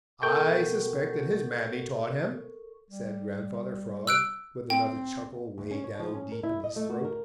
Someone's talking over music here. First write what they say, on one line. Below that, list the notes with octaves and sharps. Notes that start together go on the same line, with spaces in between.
"I suspect that his mammy taught him," said Grandfather Frog, with another chuckle way down deep in his throat.
B2 A4 A#4 G5 C#6
G3
E6 F#6 D7
C4 G5
D2
C#4
C#5
F3
C#4
A#4
E4
D#5
A3
F#4
A#4